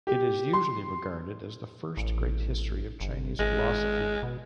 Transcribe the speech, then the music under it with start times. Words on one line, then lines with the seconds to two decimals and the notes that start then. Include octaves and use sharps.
It is usually regarded as the first great history of Chinese philosophy.
0.07 G4
0.53 C6
1.97 A1
3.01 G1
3.39 G#1 G#3
4.23 B2